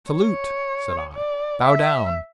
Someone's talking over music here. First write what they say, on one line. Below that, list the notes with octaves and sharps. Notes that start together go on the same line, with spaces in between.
"Salute!" said I. "Bow down!"
C#5
D5
E5